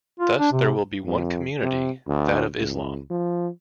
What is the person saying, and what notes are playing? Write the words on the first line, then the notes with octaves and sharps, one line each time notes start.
Thus, there will be one community, that of Islam.
F4
D4
C3
F2
C3
D2
C#2
F3